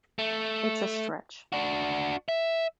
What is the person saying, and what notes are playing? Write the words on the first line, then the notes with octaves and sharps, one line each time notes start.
It's a stretch.
A3
D4 F#4
E5